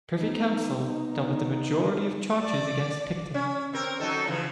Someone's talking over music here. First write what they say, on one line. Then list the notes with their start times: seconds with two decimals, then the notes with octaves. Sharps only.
The Privy Council dealt with the majority of the charges against Picton.
0.19 B3 D#4
2.41 D5
3.34 C#4
3.73 C4 A#4
4.00 F#3 D#4 A4
4.27 C#3 E3 F3